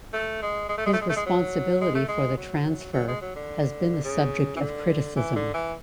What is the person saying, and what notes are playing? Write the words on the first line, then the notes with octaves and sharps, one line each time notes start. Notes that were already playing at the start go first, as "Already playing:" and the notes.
His responsibility for the transfer has been the subject of criticism.
A3
G#3
G#3
A3
G#3
A3
G#3
A3
G#3
F#3
G#3
A3
G#3
F#3
F#3
G#3
F#3
D3
C#3
E3
D3
E3
D3
E3